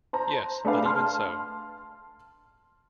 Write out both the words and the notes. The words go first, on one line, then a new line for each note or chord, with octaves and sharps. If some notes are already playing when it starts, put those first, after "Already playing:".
Yes, but even so.
C5 A5 A#5
A3 D4 G#4 B4 D5 F5
A5 C6 F6